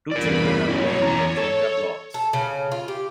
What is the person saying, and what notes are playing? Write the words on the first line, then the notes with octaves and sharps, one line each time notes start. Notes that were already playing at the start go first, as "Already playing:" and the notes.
Two children are playing with Jenga blocks.
E2 G2 A#4 D5 B5
F#3 C#4 E4 C#5
E2 A#5
A4
A4
C#3
F4
G4